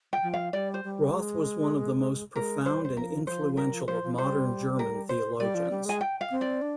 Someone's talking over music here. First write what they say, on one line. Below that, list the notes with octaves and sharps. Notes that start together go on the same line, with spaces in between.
Rothe was one of the most profound and influential of modern German theologians.
G5
F3
F5
G3 D5
C5
G3
G#3
G#3 A#4
G3 C5
C5
F3 A#4
F3 C5
G3 A#4
F3
F3 C5
F3
G3 C5
A#4
C5
G3 D5
F3
G3
G#3 G#5
G5
F5
C4
D5
D4